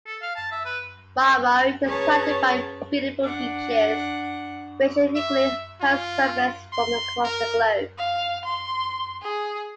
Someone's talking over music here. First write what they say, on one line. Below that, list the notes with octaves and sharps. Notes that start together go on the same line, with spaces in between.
Marmari is surrounded by beautiful beaches which frequently host surfers from across the globe.
A4
F5
A5
E5
B4
C#4 G#4 B4 C#5 A5 A#5
D4 F#5
E5
F4
C6
A#4
F5
C6
G#4